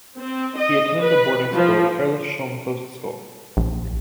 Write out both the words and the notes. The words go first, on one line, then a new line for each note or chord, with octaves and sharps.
He attended boarding school at Herlufsholm kostskole.
C4
D#5
B4
F3
A#1